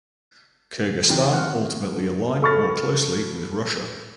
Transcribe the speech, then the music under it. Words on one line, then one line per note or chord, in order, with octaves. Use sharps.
Kyrgyzstan ultimately aligned more closely with Russia.
E2 C3 D#3 E3 G5
D#2 C4 F#5 F6
D3
A4 B5 C#6 F6 A6